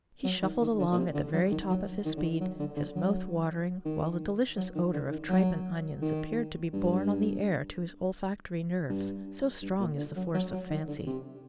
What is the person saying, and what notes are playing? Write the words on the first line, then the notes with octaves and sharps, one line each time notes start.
He shuffled along at the very top of his speed, his mouth watering, while the delicious odour of tripe and onions appeared to be borne on the air to his olfactory nerves: so strong is the force of fancy.
F#3
D#3
D#3
D3
A#2
C3
D3
F#3
D#3
F#3
D#3
D3
D#3
F#3
D3
D3
F#3
D#3
F#3
D#3
D3
D#3
F#3
D#3
G2
G2
G2
A#2
D3
F#3
F#3
F#3
D#3
D3
C3